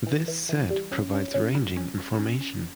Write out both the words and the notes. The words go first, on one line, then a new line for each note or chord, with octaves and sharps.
This set provides ranging information.
E3
E3
E3
G3
C#4
C#4
C#4
G3
C#4
C#4
C#4
C#4